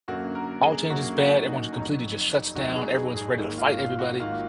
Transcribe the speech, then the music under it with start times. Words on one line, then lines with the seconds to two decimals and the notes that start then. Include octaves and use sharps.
All change is bad. Everyone just completely just shuts down. Everyone's ready to fight everybody.
0.08 F#2 D3 F#3 A#3 F#4
0.35 A#4
0.63 G#4
0.90 F#2 D3 F#3 A#3 F#4
1.18 F#4
1.46 D#4
1.73 F1 F2 D#3 F#3 D#4
2.55 F1 F2 D#3 F#3 F#4
2.76 G#4
2.96 G#4
3.17 G#4
3.37 G#1 G#2 D#3 A#3
3.58 F4
3.78 F4
3.99 F#4
4.19 G#1 G#2 D#3 A#3 F4